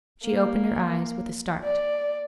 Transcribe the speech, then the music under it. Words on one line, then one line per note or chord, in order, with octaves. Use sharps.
She opened her eyes with a start.
A#3
D5